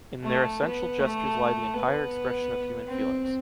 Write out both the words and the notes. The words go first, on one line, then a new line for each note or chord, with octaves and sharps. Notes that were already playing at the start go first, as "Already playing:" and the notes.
In their essential gestures lie the entire expression of human feelings.
A3
B3
A3
B3
C4